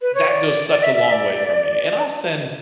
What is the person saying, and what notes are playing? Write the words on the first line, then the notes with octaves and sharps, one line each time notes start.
that goes such a long way for me, and I'll send
B4
C#5
D5
E5
E5
D5